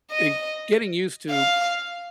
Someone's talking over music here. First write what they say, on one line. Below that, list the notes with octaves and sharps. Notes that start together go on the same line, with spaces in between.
and getting used to
D#5
F5